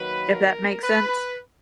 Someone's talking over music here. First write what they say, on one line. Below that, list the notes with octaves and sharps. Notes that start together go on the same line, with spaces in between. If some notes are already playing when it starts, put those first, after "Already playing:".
if that makes sense.
Already playing: D#3 F#3 A#3 B4
A#4
B4